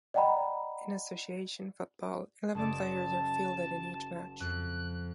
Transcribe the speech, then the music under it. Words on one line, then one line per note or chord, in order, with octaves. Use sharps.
In association football, eleven players are fielded in each match.
D5 D#5 F#5 G5 A#5 B5
F#1 G#4 D5 A5
F2 F#6